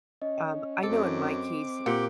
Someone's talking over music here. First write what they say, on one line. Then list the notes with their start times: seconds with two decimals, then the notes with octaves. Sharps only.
Um, I know in my case,
0.22 C#4 D#5
0.83 F#2 C4 A4 D6
1.86 A#2 G4 F#5